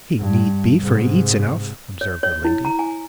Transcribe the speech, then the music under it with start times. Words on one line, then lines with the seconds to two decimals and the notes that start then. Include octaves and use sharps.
'He need be, for he eats enough,' observed the lady.
0.19 G2
0.79 G#2 C3
2.01 C#5
2.23 C#5
2.45 E4
2.65 A#5
2.79 G#5